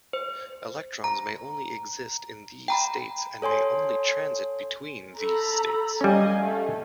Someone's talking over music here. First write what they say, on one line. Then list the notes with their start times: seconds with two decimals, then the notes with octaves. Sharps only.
Electrons may only exist in these states, and may only transit between these states.
0.13 C5
1.04 A#5
2.68 G5 A#5 B5
3.42 A4 C#5 G#5 C6
5.17 A4 A#5 B5
6.01 G3 C#4 D#5 F5 G#5
6.39 A3